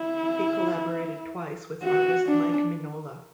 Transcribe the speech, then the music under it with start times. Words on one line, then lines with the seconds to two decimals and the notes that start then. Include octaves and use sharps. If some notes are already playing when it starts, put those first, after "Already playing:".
He collaborated twice with artist Mike Mignola.
Already playing: E4
1.83 F#4
2.26 D4